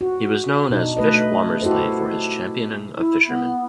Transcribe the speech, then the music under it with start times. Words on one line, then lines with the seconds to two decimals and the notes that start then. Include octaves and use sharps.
He was known as "Fish Womersley" for his championing of fishermen.
0.01 F#4
0.70 B2 D4 D#4
0.97 A3 B4 D#5
1.61 E4 F#4 G4 A4 C5
2.97 E4
3.28 B3